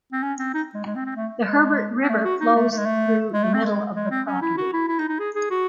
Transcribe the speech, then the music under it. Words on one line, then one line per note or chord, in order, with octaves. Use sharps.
The Herbert River flows through the middle of the property.
C4
C#4
C4
D#4
G#3
G#3
C4
C4
A3
G#3
C4
A3
F#4
D#4
A3
A3
G#3
A3
G#3
A3
C4
G#3
G#3
C4
C#4
E4
F#4
E4
E4
D#4
D#4
G#4
G#4
F#4